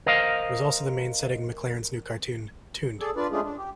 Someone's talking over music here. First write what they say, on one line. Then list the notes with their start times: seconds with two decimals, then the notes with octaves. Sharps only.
It is also the main setting of McLaren's new cartoon, "Tooned".
0.06 A#4 C5 D#5 F5
3.01 G#4 A4 D5
3.16 D4 F4 B4 D5
3.31 G#3 A3 C#4 D4 F4 G#4
3.44 D4
3.58 G4